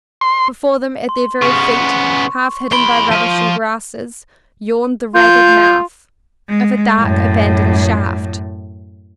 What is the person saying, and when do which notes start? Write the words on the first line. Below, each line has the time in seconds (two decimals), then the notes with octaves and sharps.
Before them, at their very feet, half-hidden by rubbish and grasses, yawned the ragged mouth of a dark, abandoned shaft.
0.21 C6
1.09 C6
1.42 C#3 B3 C#6
2.72 E2 B5 C6 D7 G7
3.11 F3 D#7
5.15 F4 G6
6.49 G#3
6.99 F#2 A2